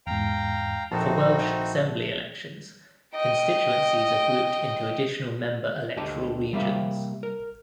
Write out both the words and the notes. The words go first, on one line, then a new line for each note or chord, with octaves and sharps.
For Welsh Assembly elections, constituencies are grouped into additional member electoral regions.
E2 G#2 F5 G5 A#5
A#1 C4 D#4 E4 F#4 A4 A5
D#5 G5
D2 D3 G4 D#5 A5
C3 G3 A#3 G4 E5 F5
A#4